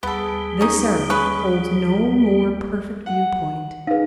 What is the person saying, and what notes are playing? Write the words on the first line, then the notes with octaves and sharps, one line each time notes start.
This earth holds no more perfect view-point.
D#2 G3 B3 G#4 A4
C#4 D#4
C#4 B4
F#5
D#4 G#4 B4 F5